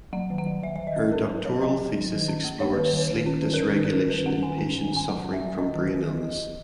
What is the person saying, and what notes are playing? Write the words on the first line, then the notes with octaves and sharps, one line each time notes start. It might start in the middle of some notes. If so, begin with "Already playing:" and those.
Her doctoral thesis explored sleep dysregulation in patients suffering from brain illness.
F#3 F#5
D#3
F#5
F#3
D#3 E5
D#3 E5
D#5
C#4
C#4 A#4
F#3 B4
F#3 C#5
C#4 D#5
F#3
F#3
D#3
C#4
A#3
A#3 C#5
D#3 B4
C#5
D#3
D#3
C#4
D#3
A#4
D#3 B4
D#3
A#4
C#4
D#3 B4
C#4 F#5
D#3 G#5
C#4
D#3
C#4 G#5
F#3 F#5
C#4
E5
F#3
C#4 D#5
D#3
D#3